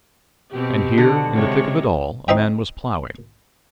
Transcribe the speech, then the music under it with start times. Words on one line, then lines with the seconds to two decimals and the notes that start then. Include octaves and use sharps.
And here, in the thick of it all, a man was ploughing.
0.53 B2 C4 G4
0.98 D3 F#4
1.34 C3 F3 G#3 C#5
2.28 C4 D#4 C5 D#5 E5 G5